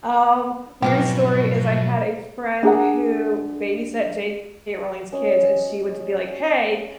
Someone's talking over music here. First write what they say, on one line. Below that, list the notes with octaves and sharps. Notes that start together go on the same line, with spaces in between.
um, weird story is, I had a friend who babysat J.K. Rowling's kids, and she went to be, like, "Hey,
G#2 B2 F3 F#3 B3 G4
D4 G#4 A#4 F#5
C#4 C#5 D#5